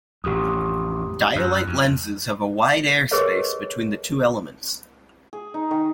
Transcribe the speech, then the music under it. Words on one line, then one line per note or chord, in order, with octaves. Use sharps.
Dialyte lenses have a wide air space between the two elements.
A1 F2 G4 D#6
F#2
F2
G4 G#4 A#4 B4 C#5 D#5
G#4
D#4
D#3